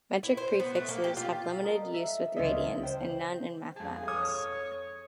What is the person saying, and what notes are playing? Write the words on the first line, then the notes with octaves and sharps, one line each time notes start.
Metric prefixes have limited use with radians, and none in mathematics.
E4
C5
B3
A3
A#3
G4
F4
A4 A#4 D#5
E5
C#2 C#4 D#5 E5
C5 G5
F2 G#4 A5
C#5 D#6